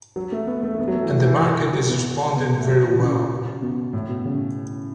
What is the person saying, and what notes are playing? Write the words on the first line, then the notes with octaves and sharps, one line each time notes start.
And the market is responding very well.
F#3
A3
B3
A3
A3
B3
F#3
A3
E3
F#3
E3
F#3
B3
B3
A3
F#3
E3
C#3
B2
A2
B2
C#3